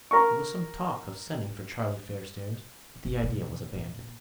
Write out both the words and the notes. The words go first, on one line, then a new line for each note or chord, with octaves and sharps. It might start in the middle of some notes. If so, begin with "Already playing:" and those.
There was some talk of sending for Charlie Fairstairs, but the idea was abandoned.
A#4 C#6
G1
B2
A#2